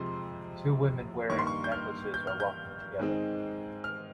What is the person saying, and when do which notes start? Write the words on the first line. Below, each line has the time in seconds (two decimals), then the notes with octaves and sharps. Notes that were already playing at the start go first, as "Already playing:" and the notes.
Two women wearing necklaces are walking together.
Already playing: F2 C3 F3 G#3 C4 C6
1.30 G2 D#3 A#3 C#6
1.39 C6
1.47 C#6
1.64 G6
1.72 F6
2.14 G6
2.27 F6
2.40 G6
2.99 G#2 D#3 G#3 C4
3.84 F6